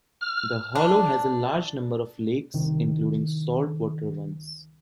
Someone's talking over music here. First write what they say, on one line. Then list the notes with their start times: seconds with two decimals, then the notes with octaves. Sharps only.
The hollow has a large number of lakes, including saltwater ones.
0.21 F6
0.75 D4
2.54 C2 D#3